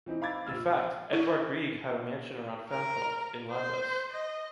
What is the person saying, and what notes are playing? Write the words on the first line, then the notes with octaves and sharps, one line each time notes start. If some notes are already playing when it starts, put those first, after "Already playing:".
In fact, Edvard Grieg had a mansion around Fantoft, in Landås.
E3 C4 D#4 E4
F5 B5 D6 E6 G#6 A6
A#1 E6 F6
E4
A#4
C5
D#5